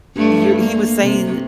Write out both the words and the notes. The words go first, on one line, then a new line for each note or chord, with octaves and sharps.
you're he was saying
G2 A3
A#3
C3